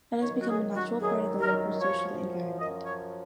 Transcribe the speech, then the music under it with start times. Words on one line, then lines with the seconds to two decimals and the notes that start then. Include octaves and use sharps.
It has become a natural part of the local social environment.
0.22 F#2 D#3 F#3 C#5
0.42 F#4
0.49 G#4
0.75 F#4
1.01 F#2 D#3 F#3 G#4
1.40 A#4
1.79 F#2 F3 C#5
2.59 F#2 F3 D#5
2.85 C#5